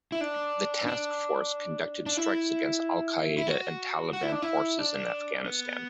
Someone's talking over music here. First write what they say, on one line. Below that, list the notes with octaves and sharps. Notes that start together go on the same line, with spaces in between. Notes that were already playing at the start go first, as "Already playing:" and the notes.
The Task Force conducted strikes against Al-Qaeda and Taliban forces in Afghanistan.
E4
D4
D4
D4
E4
E4
F#4
F#4
E4
D4
E4
D4
B3